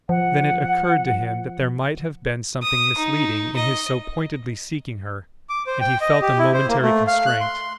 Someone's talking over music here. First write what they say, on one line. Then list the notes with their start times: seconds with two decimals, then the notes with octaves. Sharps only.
Then it occurred to him that there might have been something misleading in his so pointedly seeking her, and he felt a momentary constraint.
0.09 F3 F#5
2.63 D#6
2.98 D#4
3.56 D#5
5.49 D6
5.67 C5
5.80 G5
6.01 D#5
6.21 G4
6.39 E4
6.54 C5
6.69 A#3
6.82 A3
7.07 F5
7.26 F#6
7.40 C6